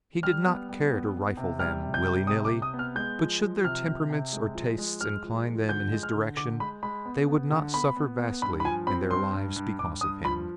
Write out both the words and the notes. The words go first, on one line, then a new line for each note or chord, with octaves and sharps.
He did not care to rifle them, willy-nilly; but should their temperaments or tastes incline them in his direction, they would not suffer vastly in their lives because of him.
G3 F6
B3
G3
B3
B3
C3
G3 F6
C3
G6
G3
C3 D#6
D6
C3
D#6
B3
F6
G#3 G6
F3
F3
C3 F6
C3
C3
G#3
F3
G#3
G#3 F6
F3
F3
D3 G6
G#3
F6
D3
D3 D6
G#3 B5
G#3 B5
B3
B3
D3
B3 B5
B3
B3
G2 B5
B5
F3 G#5
C4 B5
G2 C6
G2
G2
G2 D6
G2 D#6
F3 B5